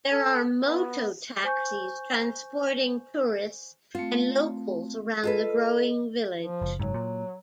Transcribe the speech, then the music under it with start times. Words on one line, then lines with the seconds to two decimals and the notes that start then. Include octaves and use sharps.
There are Moto-taxis transporting tourists and locals around the growing village.
0.12 A4
0.66 B3
1.44 C5 G#5 C#6 G6
3.95 A3 C4 F4
5.24 F4 A4 B4 D#5
6.40 F3
6.62 F#1
6.79 F#1 G#2 F#3
6.94 A#2